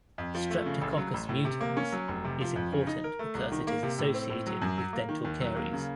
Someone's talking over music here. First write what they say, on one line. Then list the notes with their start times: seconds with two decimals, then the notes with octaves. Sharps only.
"Streptococcus mutans" is important because it is associated with dental caries.
0.18 F2
0.35 F3
0.50 A3
0.66 C#3
0.82 A1
0.97 F#3
1.14 A1
1.29 A2
1.45 C3
1.61 A#3
1.77 C#4
1.92 F#3
2.08 F1
2.24 C3
2.41 F3
2.56 F2
2.72 C#3
2.87 D#4
3.04 A#4
3.19 A3
3.35 C2
3.52 D#3
3.67 A#3
3.83 C3
3.98 A2
4.14 C4
4.30 A2
4.47 F#3
4.62 F#2
4.78 F#3
4.93 A#3
5.09 D#3
5.24 D#2
5.41 F#3
5.56 A#3
5.73 C#3